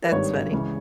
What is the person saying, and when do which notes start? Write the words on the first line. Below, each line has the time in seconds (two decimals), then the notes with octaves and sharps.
That's funny.
0.06 B4
0.12 G#1 G2 D#3 C#5
0.52 C#2 C#3 E3